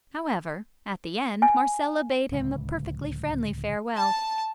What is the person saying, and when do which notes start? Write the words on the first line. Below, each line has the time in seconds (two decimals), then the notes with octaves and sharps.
However, at the end, Marcella bade him a perfectly friendly farewell.
1.42 G#5
2.31 D1 C#2
3.96 A5